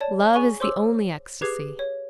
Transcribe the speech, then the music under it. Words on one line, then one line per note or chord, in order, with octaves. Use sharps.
Love is the only ecstasy.
C#5 D5 A5
G#4 G#5 C#6 G7
C5 C#5 C6 D6 E6
G4 G#4 B4 D6 G#6 C7
C#5